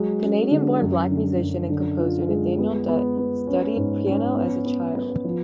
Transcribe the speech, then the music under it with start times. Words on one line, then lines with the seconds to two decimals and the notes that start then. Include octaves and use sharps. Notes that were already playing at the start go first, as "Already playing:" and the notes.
Canadian-born Black musician and composer Nathaniel Dett studied piano as a child.
Already playing: F#3 G#3
0.21 C#4
0.51 D3
0.81 F#2
1.10 D3
1.40 F#2
1.70 D3
1.99 F4
2.29 G#3
2.58 B3
2.88 B3
3.18 B3
3.47 C#4
3.76 G#2
4.06 C#4
4.36 B3
4.65 B3
4.95 B3
5.25 F3